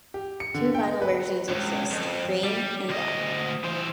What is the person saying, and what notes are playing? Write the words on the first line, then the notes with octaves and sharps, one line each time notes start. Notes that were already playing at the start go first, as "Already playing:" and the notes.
Two vinyl versions exist - green and black.
G4
C#7
D3
G5
B4
C#2 G2
F2
G3
D2 D#5
E3 C5